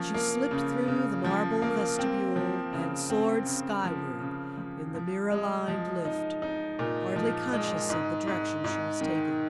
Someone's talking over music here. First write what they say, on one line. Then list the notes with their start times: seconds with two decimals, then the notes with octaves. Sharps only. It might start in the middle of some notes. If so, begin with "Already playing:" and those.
She slipped through the marble vestibule and soared skyward in the mirror-lined lift, hardly conscious of the direction she was taking.
Already playing: F3 A#3 C#4
0.14 A#3
0.51 C#3
0.88 C#3
1.24 F3
1.62 A#3
1.99 C4
2.36 F3
2.73 C#3
3.10 C4
3.46 C#3
3.84 F3
4.20 C#3
4.58 F3
4.95 F3
5.31 G#3
5.68 F3
6.05 D#4
6.42 D#4
6.79 A#2
7.16 F3
7.53 G#3
7.90 G#2
8.27 G#2
8.64 G#2
9.01 D#3